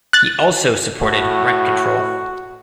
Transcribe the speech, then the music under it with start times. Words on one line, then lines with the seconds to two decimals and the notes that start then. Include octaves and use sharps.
He also supported rent control.
0.13 F#6 A6
1.01 A2 F#4